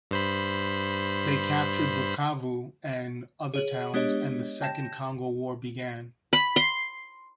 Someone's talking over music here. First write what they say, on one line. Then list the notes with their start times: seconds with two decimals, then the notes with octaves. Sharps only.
They captured Bukavu and other towns, and the Second Congo War began.
0.11 G2 C5 B5
3.54 G#4 C#5 F#7
3.94 G#3 B3 D4 G4 C#5 D#5
4.62 G5 A5 G6 A#6 E7
6.33 B5
6.56 C6